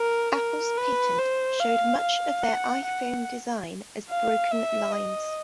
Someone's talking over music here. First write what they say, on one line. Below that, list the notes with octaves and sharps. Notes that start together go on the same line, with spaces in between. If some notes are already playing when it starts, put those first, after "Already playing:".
Apple's patent showed much of their iPhone design as broken lines.
Already playing: A#4
A#4
B4
C5
F5
F5
F#5
F#5
F5
E5
D#5